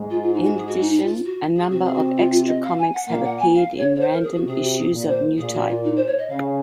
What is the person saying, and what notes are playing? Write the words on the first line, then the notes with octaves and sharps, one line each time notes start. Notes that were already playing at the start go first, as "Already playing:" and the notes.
In addition, a number of extra comics have appeared in random issues of "Newtype".
Already playing: G#2 G#3
F4
F4
D#4
F#4
G#4
F#4
D#4
F4
F#4
G#4
C3 C4 F#4
G#4
F#4
F4
F4
D#5
F5
G#5
F#5
A#2 A#3 F5
F#5
G#5
F5
C#5
C#5
C5
A#4
G#4
F#4
C3 G#4
F#4
G#4
A#2
C5
A#2 G#4
F#4
F4
D#4
C5
C#5
D#5
C#3 F5